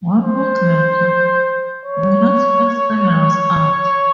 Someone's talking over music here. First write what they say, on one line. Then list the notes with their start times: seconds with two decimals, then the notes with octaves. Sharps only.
One month later, Mina's first single was out.
0.23 C5
1.85 C#5